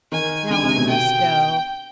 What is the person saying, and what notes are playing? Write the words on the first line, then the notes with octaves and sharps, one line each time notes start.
'Now I must go.
D#3 G#5
D3 G#5
C3
B2
G5